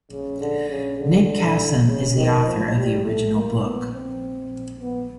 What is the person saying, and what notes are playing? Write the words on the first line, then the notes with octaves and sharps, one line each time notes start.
Nick Kassem is the author of the original book.
C#3
D3
C#3
D3
C#3
D#3
F3
G3
A3
A#3
B3
C4
B3